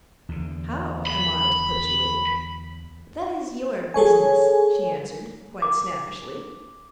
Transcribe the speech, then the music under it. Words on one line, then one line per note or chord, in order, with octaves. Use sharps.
"How am I to put you in?" "That is your business," she answered, quite snappishly.
E2 D3
B5
G#4 A4 C#5 G#5
D6